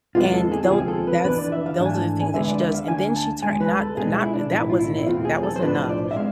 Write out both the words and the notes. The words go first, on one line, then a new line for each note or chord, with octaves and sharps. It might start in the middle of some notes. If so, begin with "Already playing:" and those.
And though that's those are the things that she does. And then she turn not not that wasn't it, that wasn't enough.
E2 C3 G#3 B3 F4
A4
G#4
F4
D2 C3 F3 G#3 C4 G#4
A4
B4
F2 E3 B3 D4 B4
D5
E5
F5
G#2 E3 A3 D4
G#5
A5
G#5
D2 D3 G#3 B3 D4 E5
D5
E5
F5
D2 D3 A3 D4 G#5
A5
D2 D3 G#3 G#5
B4
A4
B2 G#3 B3 D4 G#4
E4
E4
D4
B1 A2 E3 E4
F4
E4
E4
E2 B2 A3 C4 F4
G#4
A4
C5
B1 A2 F3 B3 D4 B4
C5
D5
E5
G#3 C4 F5